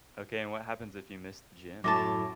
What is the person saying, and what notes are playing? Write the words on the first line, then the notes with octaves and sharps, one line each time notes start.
Okay, and what happens if you miss the gym?
F#2 A2 A5 D6 A#6